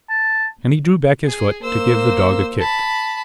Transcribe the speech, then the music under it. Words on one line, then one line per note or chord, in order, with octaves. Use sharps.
And he drew back his foot to give the Dog a kick.
A5
G#4
A#3 C5 E6
A5 B5